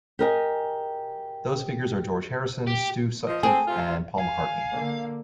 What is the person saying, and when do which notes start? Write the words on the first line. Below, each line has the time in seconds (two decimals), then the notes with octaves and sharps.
Those figures are George Harrison, Stu Sutcliffe and Paul McCartney.
0.19 G4 G#4 A#4 D#5 E5 G#5
2.67 G4
3.26 F3 D#5
3.43 C4 G#4
3.68 C3 F4
4.18 F5 G#5
4.71 D3 A#3